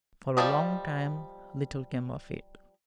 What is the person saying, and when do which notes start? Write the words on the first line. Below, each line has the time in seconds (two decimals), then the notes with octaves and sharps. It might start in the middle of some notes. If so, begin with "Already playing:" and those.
For a long time little came of it.
0.37 F3 G3 A#3 D5 D#5